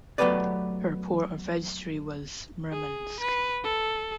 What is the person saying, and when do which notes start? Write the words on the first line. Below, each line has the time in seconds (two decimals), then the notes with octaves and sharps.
Her port of registry was Murmansk.
0.18 F#3 A3 B3 G4 B4 D5
2.72 G#4
3.20 B4
3.64 A4